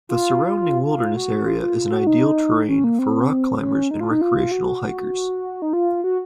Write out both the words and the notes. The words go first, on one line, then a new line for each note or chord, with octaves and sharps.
The surrounding wilderness area is an ideal terrain for rock climbers and recreational hikers.
F4
F4
F#4
F4
F4
F4
F#4
D#4
C#4
A#3
C4
C#4
D#4
F4
D#4
F4
F#4
D#4
F4
F#4